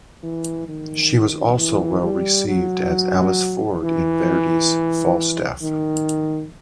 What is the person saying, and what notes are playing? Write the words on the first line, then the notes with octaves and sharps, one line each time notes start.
She was also well received as Alice Ford in Verdi's "Falstaff".
E3
D#3
E3
G3
F#3
E3
D#3